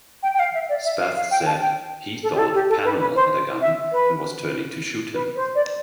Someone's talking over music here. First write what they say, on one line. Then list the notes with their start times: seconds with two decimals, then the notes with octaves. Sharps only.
Spath said he thought Pannell had a gun and was turning to shoot him.
0.23 G5
0.34 G5
0.39 F5
0.54 E5
0.69 D5
0.84 E5
1.00 F5
1.16 F5
1.31 G5
1.46 A5
1.61 G5
2.23 A4
2.34 G4
2.38 A4
2.54 G4
2.69 A4
2.84 B4
2.99 B4
3.15 C5
3.61 E5
3.92 B4
5.14 B4
5.36 C5
5.55 D5